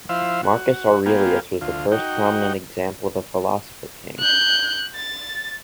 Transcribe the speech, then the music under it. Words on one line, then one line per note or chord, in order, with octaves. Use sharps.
Marcus Aurelius was the first prominent example of a philosopher king.
F3 E4 C5 F5 E6
F#4
A#3 B3 F4 G4 G#4
D2 F4
D#4 F#4 G5
F#6 G6
A6